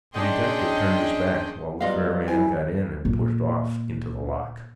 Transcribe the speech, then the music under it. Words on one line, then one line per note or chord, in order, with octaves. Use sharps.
The detective turned his back while the fair man got in and pushed off into the loch.
C#4 D4 G#4 D#5 G5 C6
F#3 G3 B3 F4 D#5 F5
E4 G#5
A#2 A#3